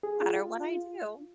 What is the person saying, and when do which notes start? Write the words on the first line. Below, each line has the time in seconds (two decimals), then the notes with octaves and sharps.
no matter what I do,”
0.03 G#4
0.22 F4
0.42 F4
0.61 F4